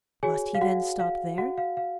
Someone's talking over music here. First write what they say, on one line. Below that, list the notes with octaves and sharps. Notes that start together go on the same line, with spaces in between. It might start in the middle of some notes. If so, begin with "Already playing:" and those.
Must he then stop there?
F#4 G#4 C#5 G#5
F5
F#4 F#5
F5
F#4 F#5
F5
F5